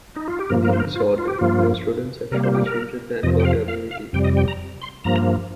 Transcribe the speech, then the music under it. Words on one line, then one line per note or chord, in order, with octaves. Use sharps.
In the episode, the students actually cheated and got away with it.
D#4
F4
G4
G2 F3 A#3 A#4
A#4
C5
A#4
F4
F4
G4
G2 F3 A#3 F4
C3 G3 A#3 A#4
C5
G4
A#4
F2 C3 F3 D#5
G5
F5
F5
F5
F2 C3 G3 G5
D#5
G5
A#5
C6
G2 F3 A#3 A#5